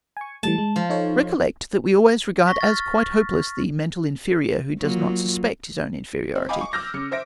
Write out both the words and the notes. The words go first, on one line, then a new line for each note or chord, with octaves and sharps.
Recollect that we always regard as quite hopeless the mental inferior who does not suspect his own inferiority.
G#5 C#6
E3 G3 A3 A5
G#3
F3
D#4 A4 C#5
C#6 A#6 B6
F6 A6
F#3 A#3 F4
C4
D#5 F5 G5 G#5 B5 D6
C#6
D6 E6 F6 G6 A#6
C#3 C#7
C5 E5 A#6 D7